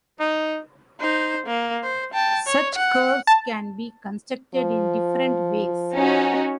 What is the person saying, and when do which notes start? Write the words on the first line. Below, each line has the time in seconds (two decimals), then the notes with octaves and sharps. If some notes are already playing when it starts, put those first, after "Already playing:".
Such curves can be constructed in different ways.
0.19 D#4
1.00 D#4 C5
1.47 A#3
1.83 C5
2.14 G5 A5
2.47 C#5
2.75 F#5
3.27 A5
4.55 F3
5.93 C#4 D#4 F#4